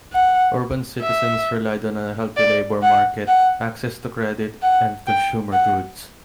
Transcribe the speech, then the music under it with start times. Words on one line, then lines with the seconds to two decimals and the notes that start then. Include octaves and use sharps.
Urban citizens relied on a healthy labor market, access to credit, and consumer goods.
0.12 F#5
1.02 E5
2.37 D5
2.82 F#5
3.28 F#5
4.62 F#5
5.07 G5
5.52 F#5